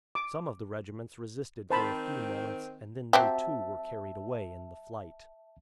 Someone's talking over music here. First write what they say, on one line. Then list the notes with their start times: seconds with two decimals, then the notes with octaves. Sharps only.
Some of the regiments resisted for a few moments, and then they too were carried away in the flight.
0.15 D6
1.70 D#3 C4 C5 A5 B5
3.13 F#3 C4 G4 E5 A5